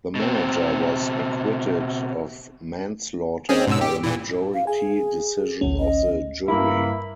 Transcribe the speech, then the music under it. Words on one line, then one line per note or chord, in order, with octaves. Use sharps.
The manager was acquitted of manslaughter by a majority decision of the jury.
B2 C4
C4 C#4 G#4
G#2 B2 E6
G4
A#2 E3
F5
G#4 G#5
A1 D2 C#4
D#5
G2 A#3 E4 E5 B5